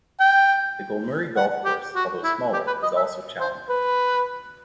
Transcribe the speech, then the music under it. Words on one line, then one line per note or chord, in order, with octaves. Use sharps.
The Golmuri Golf Course although smaller is also challenging.
G5
F#5
G4
F#4
E4
G4
B4
D#5
E5
C5
B4